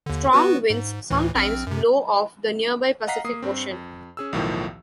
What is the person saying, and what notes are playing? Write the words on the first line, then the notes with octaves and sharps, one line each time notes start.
Strong winds sometimes blow off the nearby Pacific Ocean.
D#2 D3
B3 F#4 B4
G#2
D2 A2 E3
A#1 C4 F6
F#2 C3
D#5 F5 F#5 A#5 B6 C7
A#3 D#6 C7
G2 C4
F2
C#4 G#4 E6
B1 E2 A2 D#3 F3